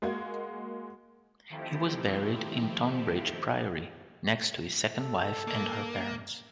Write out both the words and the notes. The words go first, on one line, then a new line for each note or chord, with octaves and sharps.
He was buried at Tonbridge Priory, next to his second wife and her parents.
G#3 A#3 F#4 G#6
D#3 F3 A3 C4 E4 G4
A4
A#3